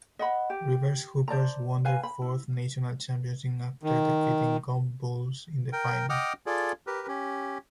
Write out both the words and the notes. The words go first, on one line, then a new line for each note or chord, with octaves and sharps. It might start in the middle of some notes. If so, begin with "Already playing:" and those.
Rivers Hoopers won their fourth national championship after defeating Gombe Bulls in the final.
D#5 F#5 B5
G4
C5 D5 A5 A#5
B4 F5 G#5
B5
E4
D#3
A#4 G5
D#5 F#5 G5 D6 D#6 F6
F4 G#4 A4 D5
G4 A#4 B4
C#4 G4